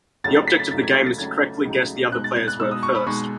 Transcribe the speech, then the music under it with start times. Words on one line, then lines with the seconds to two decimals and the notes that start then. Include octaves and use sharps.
The object of the game is to correctly guess the other player's word first.
0.24 C#2 C#3 F#3 A3 D#4 A6
0.36 A6
0.48 B6
0.60 A6
0.71 C#2 C#3 F#3 A3 D#4 A6
0.83 G#6
0.95 G#6
1.07 A6
1.18 C#2 C#3 F#3 A3 D#4 G#6
1.65 C#2 C#3 F#3 A3 D#4
2.12 B2 G#3 D#4 F#6
2.24 A6
2.36 G#6
2.48 F#6
2.59 B2 G#3 D#4 E6
2.71 D#6
2.83 C#6
2.95 B5
3.06 B2 G#3 D#4 C#6